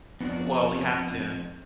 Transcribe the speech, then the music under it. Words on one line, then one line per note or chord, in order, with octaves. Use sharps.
Well, we have to
F2 B3 D4 D5